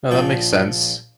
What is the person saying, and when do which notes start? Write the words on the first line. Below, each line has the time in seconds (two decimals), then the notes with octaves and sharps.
No, that makes sense.
0.11 A#1 F3 G5